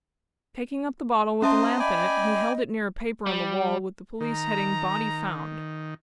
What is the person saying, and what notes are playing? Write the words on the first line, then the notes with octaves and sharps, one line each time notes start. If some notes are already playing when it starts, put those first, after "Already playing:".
Taking up the bottle with the lamp in it, he held it near a paper on the wall, with the police heading, BODY FOUND.
C#4 C5 D#5 E5 A5 A#5 C6
D5 D#5 G5 G#5 B5
G3
D#3 A#5